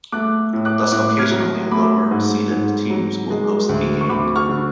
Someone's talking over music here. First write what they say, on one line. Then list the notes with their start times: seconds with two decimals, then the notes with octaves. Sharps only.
Thus, occasionally, lower seeded teams will host a game.
0.12 A3 D6 F#6
0.53 A2
0.65 D6 F#6
0.92 A2 D6 F#6
1.09 F#6
1.19 F6 G#6
1.31 F#3
1.71 A3 B5 D6
2.11 G#2
2.51 G#2
2.90 F#3
3.30 G#3
3.69 D2
4.01 C#6
4.09 D2 B5 D6
4.36 C#6 F6
4.49 D3